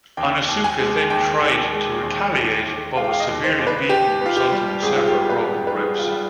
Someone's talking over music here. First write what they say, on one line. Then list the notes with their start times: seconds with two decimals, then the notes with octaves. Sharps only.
Onitsuka then tried to retaliate but was severely beaten resulting in several broken ribs.
0.17 D#2 G5
0.49 D#2
0.64 G#5
0.79 G#3
1.10 D#2 G5
1.42 D#3
1.73 G#3
2.03 D#2
2.34 D#2
2.66 D#2
2.96 G#3 F5
3.04 G5
3.12 F5
3.20 D#5
3.27 D#2
3.44 C5
3.59 D#2
3.67 B4
3.89 B3 G4
4.21 B3 F4
4.37 G4
4.52 G3
4.82 G#1 G#4
4.96 F4
5.08 G4
5.14 B3 G#4
5.29 B4
5.45 G#1
5.67 B4
5.76 G3 G#4
5.99 F4
6.07 G3